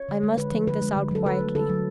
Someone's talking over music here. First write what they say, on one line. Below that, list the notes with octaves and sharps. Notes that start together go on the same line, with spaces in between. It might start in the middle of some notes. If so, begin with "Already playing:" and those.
I must think this out quietly.'
Already playing: C#5
D3
G#3
D3 B4
F3
D3 B4
G#3
D3
F#3 A4
D3 B4
A3
D3 A4
F#3